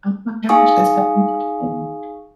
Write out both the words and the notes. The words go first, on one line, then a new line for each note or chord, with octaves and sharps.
Oh my gosh, that's so interesting.
D#4 G#4 F5 G#5 C#6 D#6